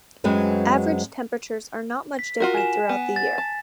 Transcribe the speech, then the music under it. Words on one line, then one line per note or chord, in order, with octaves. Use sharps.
Average temperatures are not much different throughout the year.
F#2 F#3 G#3 C4 B4
B6
F4 F#4 A#4
G#5 E7
B3
A6
A5